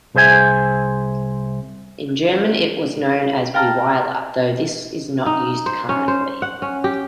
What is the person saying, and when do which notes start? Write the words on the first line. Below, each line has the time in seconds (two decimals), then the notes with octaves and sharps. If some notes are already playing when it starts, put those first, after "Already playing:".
In German it was known as "Bewiler" though this is not used currently.
0.15 C2 G#4 C5 E5 G#5
3.54 F5 G5 A5 A#5 F6
5.26 D#4
5.66 C5
5.89 C#4
6.08 C5
6.42 F#5
6.62 C#4
6.84 G4